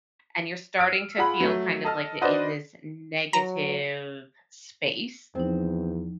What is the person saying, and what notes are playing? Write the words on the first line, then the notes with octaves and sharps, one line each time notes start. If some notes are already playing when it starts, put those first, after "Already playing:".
and you're starting to feel kind of, like, th in this negative space
E6 F6 D7
F4 G#4 F#5 B5
F#3 A3
A4 D#5 A5 F6
D4 F#4 B4 C5 D5 D#5
F#3 A#5
E2 F3 C4 D#4